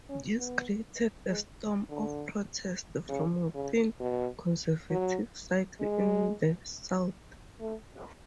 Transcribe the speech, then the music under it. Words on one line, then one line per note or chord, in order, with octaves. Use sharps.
This created a storm of protest from within conservative circles in the South.
C#4
B3
G#3
D3
C#3
C#3
B2
F#3
G#3
A3